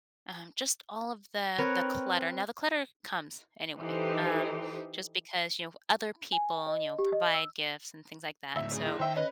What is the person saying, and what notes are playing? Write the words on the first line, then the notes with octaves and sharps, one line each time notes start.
um just all of the the clutter, now the clutter comes anyway, um, just because, you know, other people, you know, provide gifts and things like that, and so,
C4 A#4 B4 C#5
E3 D#4 G4 A4 C5
G#5
D#5
G4
D#5
E6
D2 A2 E5
C#3 G#4
F#1 E4
D#3 C5 E5 G5
C#4 B4 D#5